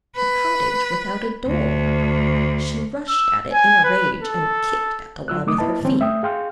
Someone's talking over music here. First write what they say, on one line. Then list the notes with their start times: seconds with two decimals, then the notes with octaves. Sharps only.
A cottage without a door!--she rushed at it in a rage and kicked at the wall with her feet.
0.16 B4
1.47 D2
3.09 E6
3.54 G#5
3.84 B4
4.22 A4
5.28 F#3 F4 E6 F#6
5.46 C#3 F#3 A3 D#4 D6 D#6
5.58 A#3 E4 B4 D#5 A5
5.82 D3 E3 G3 C4 C#4
6.00 A3 E5 G5 D#6
6.23 G#4 F5 G5 C6 F6